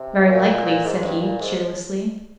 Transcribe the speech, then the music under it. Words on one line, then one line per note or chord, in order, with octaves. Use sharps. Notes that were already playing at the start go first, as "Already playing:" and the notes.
"Very likely," said he cheerlessly.
Already playing: C3
A#2
A#2
A#2
A#2
G#2
G2
A#2
G#2